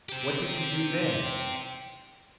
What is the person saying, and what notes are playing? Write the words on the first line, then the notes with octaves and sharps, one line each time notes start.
"What did you do then?"
G4 C5